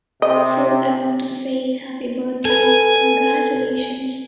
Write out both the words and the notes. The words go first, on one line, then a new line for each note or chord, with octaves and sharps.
So I want to say, Happy birthday, congratulations.
C3 D#5
A4 B4 G#5